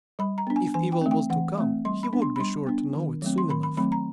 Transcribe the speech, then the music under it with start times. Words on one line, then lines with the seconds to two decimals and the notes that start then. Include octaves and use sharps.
If evil was to come, he would be sure to know it soon enough.
0.19 G3 B5
0.38 A#5
0.47 B3 D4
0.56 G#5
0.74 E3 G#5
0.92 G5
1.01 A3 C4
1.11 G5
1.30 E3 F#5
1.58 A3 C4
1.85 G3 C6
2.03 B5
2.13 B3 D4
2.22 C6
2.36 B5
2.40 G3 C6
2.67 B3 D4
2.95 D#3
3.22 F#3 A3 C4
3.38 C6
3.50 D#3 B5
3.63 B5
3.77 F#3 A3 C4 B5
3.92 A#5